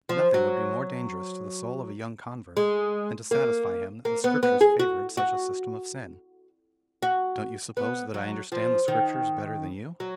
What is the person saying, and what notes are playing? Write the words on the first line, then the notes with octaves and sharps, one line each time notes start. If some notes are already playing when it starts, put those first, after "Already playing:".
Nothing would be more dangerous to the soul of a young convert than to satisfy him that the Scriptures favoured such a system of sin." "Don't you suppose that I understand the Scriptures better than you?
F3
F#3
G#3
A#3
A#3
B3
B3
G#4
F#4
F#4
F#4
B3
F#3
F3
D#3
F#3